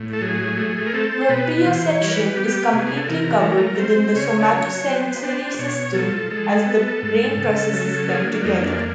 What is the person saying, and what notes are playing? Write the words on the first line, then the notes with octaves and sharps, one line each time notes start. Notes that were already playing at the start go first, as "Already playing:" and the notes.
Proprioception is completely covered within the somatosensory system as the brain processes them together.
Already playing: A2
A4
F#3 G#4
A3
A#4
C4 A4
C5
B2 B4
E3 C5
C#5
G3
A#4
B4
B3 G4
C3 G#4
G#4
A4
E3 A#4
A4
A3 A#4
C4 C5
C5
C#3 C#5
D5
F#3 C#5
B3 C5
D4 C5
B2 C#5
F3 A4
G#3 A4
B3
G#2
C#3
F#3
A#3 G#4
D4
F2 D#4
D4